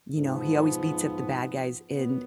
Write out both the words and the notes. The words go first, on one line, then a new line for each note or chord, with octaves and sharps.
you know, he always beats up the bad guys in
G#2 F3 B3
A#2 F#3 B3